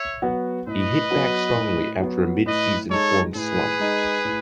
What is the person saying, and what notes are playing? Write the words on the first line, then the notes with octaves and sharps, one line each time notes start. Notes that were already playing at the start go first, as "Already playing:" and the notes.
He hit back strongly after a midseason form slump.
Already playing: C#5 E5
F#3 B3 F#4
A2 B4 D#5
F#3 B3 F#4
A2
F#3 B3 F#4
A2 B4 D#5
G#3 D#4 A4 C#5
A2 G#4 B4
G#3 D#4
A2